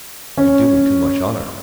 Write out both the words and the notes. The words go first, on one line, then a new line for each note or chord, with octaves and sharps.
"You do me too much honour."
C#4